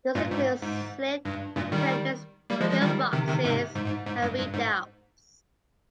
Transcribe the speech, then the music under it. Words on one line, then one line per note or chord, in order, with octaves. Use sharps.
This includes slit trenches, pillboxes, and redoubts.
G2 A#2
G#2
G#2
G2
G2 A#2
D#3 G3
G3 A#3
F3 G#3
F3 G#3
D#3 G3
C3 D#3
C3 D#3
G#2 C3
G#2
G#2
G#2
G2
G2
G#2